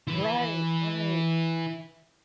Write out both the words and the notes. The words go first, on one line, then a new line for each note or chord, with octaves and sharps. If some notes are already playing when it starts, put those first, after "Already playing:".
right, right.
E4 B4